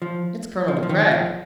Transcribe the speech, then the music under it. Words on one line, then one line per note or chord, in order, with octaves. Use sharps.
"It's Colonel De Craye."
F3
F3
F3
D#3
F3